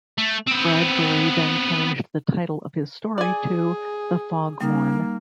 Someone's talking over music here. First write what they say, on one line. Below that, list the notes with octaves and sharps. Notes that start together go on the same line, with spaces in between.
Bradbury then changed the title of his story to "The Fog Horn".
A3
B3 C4
G#4 D5 G#5
G3 A#3 D#4